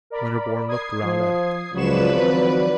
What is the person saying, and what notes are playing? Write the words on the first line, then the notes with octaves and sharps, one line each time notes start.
Winterborne looked round at it.
A#4 D5 B5
D#6 G#6 C7
F3
C#2 F3 F#3 B4 D5 C#6 E7
D#3 F#3 C4